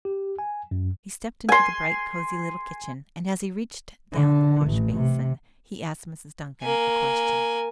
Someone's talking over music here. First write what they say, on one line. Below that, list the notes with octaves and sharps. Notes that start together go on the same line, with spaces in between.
He stepped into the bright, cosy little kitchen, and as he reached down the wash-basin he asked Mrs. Duncan a question.
G4
G#5
F#2
G#5 C6
D3
A1
C3
A#3 G#5